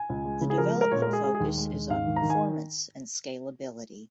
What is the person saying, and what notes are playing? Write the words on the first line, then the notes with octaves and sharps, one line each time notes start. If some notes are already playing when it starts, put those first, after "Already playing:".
The development focus is on performance and scalability.
Already playing: G#5
C#2
G#3
C#3
G#4
F3 A#4
G#3
A#4
A#2 C#5
A#4
G#3
G#4
G#3 G#4
G#4
D#2
G#3
D#2
G#2 F5
D#3
A#5
D#3
G#5